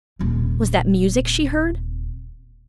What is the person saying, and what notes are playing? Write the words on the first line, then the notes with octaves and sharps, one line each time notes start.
Was that music she heard?
D#1 C3